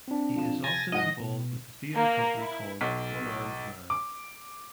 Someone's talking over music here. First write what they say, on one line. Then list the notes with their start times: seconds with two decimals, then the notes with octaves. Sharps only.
He is often involved with the theater company called One Armed Man.
0.08 C4 D4
0.35 F2 F4 E7
0.64 C3 G#5 A6 A#6
0.92 G#2 G#3 D#5 F#5
1.20 B2
1.95 A#3
2.35 E4
2.81 B1
3.90 D6